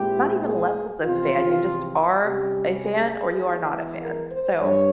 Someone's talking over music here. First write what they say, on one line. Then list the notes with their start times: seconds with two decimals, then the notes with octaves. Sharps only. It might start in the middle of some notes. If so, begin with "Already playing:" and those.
not even levels of fan, you just are a fan or you are not a fan. So
Already playing: A#2 G#3 C4 E4 G4
0.44 G#4
1.04 E2 C3 F3 C4 F4
2.23 C3 G3 C#4 G4
2.83 G#4
3.42 E2 E3 G#3 E4
4.02 A#4
4.31 C5
4.61 G2 C#5